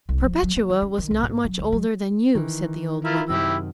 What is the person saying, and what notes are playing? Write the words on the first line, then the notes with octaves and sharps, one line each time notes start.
"Perpetua was not much older than you," said the old woman.
C2
F3
F#3
A#3
E3
C#4
D#3
C2
G#2
F#3
D2
F#3
D#3 E3
E4 F4 A#4
F#2 C3 D#3 E4 G4 E6